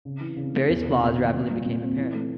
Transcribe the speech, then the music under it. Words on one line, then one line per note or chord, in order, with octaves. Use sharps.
Various flaws rapidly became apparent.
C#3
E3
C#3
A3
E2
C3
E2
D#3
A#2
G3
A#2
C4
E3
A3